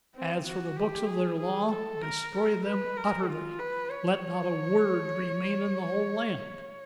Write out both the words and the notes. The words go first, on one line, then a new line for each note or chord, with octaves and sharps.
'As for the Books of their Law, destroy them utterly; let not a word remain in the whole land.
C4
F#4
G4
G#4
G#4
A4
A#4
A#4
B4
A#4
F4
B4
C#5